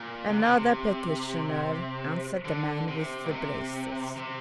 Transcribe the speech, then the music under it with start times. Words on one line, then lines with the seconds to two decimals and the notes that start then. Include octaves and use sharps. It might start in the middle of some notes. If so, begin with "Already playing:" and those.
"Another petitioner," answered the man with the braces.
Already playing: A#2
0.29 C3
0.39 D3
0.49 C3
2.45 D3
2.88 C3
3.26 A#2
3.31 C3
4.17 C3